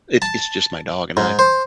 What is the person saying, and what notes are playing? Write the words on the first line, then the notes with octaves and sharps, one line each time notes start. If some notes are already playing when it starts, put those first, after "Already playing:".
it's it's just my dog and I;
A5
G#2
C5